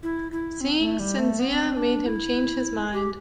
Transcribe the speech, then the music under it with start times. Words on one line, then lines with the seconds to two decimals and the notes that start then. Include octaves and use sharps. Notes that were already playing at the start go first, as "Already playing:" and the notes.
Seeing Cinzia made him change his mind.
0.03 E4
0.32 E4
0.61 C4
0.80 A3
0.99 G3
1.19 A3
1.39 B3
1.48 C4
1.77 D4
2.06 E4
2.93 G4